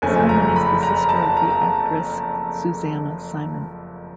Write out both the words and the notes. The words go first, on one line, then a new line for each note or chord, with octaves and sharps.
Simon is the sister of the actress Susanna Simon.
F#1 F2 C#3 F3 A3 G#5
A#5
B5
A#5
A5
A#5